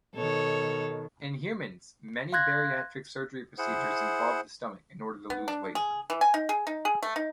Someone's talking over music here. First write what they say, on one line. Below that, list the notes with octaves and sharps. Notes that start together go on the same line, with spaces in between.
In humans, many bariatric surgery procedures involve the stomach, in order to lose weight.
B2 D#3 A4 C#5
F5 C6 F#6 G#6 A#6
E4 G#4 C5 F#5
B3
D4
G#4
E3
G#5
D#4
G#4
D#4
G#4
A3
D#4